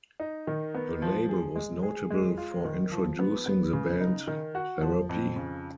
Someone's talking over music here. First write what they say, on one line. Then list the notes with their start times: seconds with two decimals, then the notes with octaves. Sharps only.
The label was notable for introducing the band Therapy?
0.20 D#4
0.47 D#3
0.75 B3
1.02 F3
1.29 G#4
1.56 G#3
1.83 G#4
2.11 G#3
2.38 F4
2.65 D#3
2.91 F3
3.19 B3
3.46 B3
3.73 C#3
4.01 D#4
4.27 D#3
4.55 F#4
4.82 F3
5.09 F2
5.36 C#3